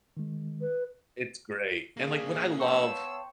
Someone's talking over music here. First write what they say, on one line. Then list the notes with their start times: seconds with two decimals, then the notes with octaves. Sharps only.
it's great, and, like, what I love,
0.17 D#3 G#3
0.61 B4
1.97 A#3 D4 G#4 F5
2.60 B3 C#5 F5 G5 A5 C6 C#6 E6